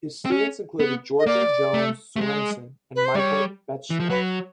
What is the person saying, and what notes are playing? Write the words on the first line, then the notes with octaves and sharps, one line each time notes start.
His students included Georgia Jones Sorenson and Michael Beschloss.
C4
C#4
B3
D#5
A#3 D5
A3
A3
G#3
B4
C5
G3 C#5 D5
E3
F3
F#3 B4